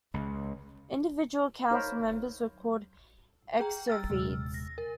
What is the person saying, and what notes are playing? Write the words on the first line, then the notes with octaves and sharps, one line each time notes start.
Individual council members were called Exovedes.
C#2
D#4 A#4 C5 C#5 F5 B5
G#4 G5 A#5
E6 F6 A6
D#1 C3 G#3
A#6
A#4